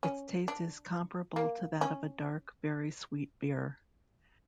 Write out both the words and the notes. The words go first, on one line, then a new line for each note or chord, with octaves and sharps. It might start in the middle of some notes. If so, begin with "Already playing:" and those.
Its taste is comparable to that of a dark, very sweet beer.
C#4
D4
A#3
C#4